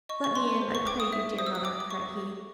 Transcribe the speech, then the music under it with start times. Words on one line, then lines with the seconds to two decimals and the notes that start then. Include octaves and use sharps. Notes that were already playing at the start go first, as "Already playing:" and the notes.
'Let me in, I pray you, dear mother,' cried he.
0.09 D#5 C#6
0.24 C#6
0.35 B4 C6
0.61 C5
0.75 C#6
0.87 G5 D6
1.00 D#6
1.13 E5
1.38 C5 D#6
1.46 E6
1.55 D#6
1.64 G5 D6
1.80 D6
1.90 E5 C#6
2.16 A4